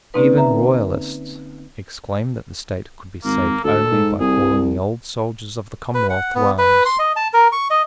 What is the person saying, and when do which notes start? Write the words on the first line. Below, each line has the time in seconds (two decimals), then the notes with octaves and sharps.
Even Royalists exclaimed that the state could be saved only by calling the old soldiers of the Commonwealth to arms.
0.14 D3 A#3 C4 C#4 D#4 B4
0.37 E5 A#5
3.24 G#1 A#3
3.64 D2 A4
3.92 G#2
4.20 C2 G#4
5.94 B4
6.10 F#5
6.35 B3
6.58 B4
6.86 C6
6.99 D#5
7.16 A5
7.33 A#4
7.52 C#6
7.70 D#5